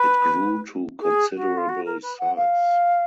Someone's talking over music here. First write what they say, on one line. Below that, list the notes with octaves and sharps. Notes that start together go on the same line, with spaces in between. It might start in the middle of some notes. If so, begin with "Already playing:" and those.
It grew to considerable size.
Already playing: B4
G#4
F#4
F4
F#4
A#4
B4
F#5
F5